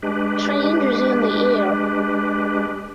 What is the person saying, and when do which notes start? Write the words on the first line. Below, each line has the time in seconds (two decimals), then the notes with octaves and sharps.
Change is in the air.
0.03 G#3 D4 G4 B4